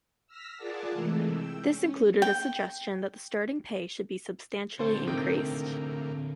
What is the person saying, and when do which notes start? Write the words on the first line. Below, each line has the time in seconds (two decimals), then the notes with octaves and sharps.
This included a suggestion that the starting pay should be substantially increased.
0.27 E6 F6 A#6 B6
0.56 F4 G#4 A#4 D5 F#5 A5
0.92 C3 E3 G#3 A3
1.29 G5 E6
1.64 C#4
2.22 G5
4.79 D3 C4 C5 C#5 G5 A5
5.07 A2 C3 D#3 A#3 G5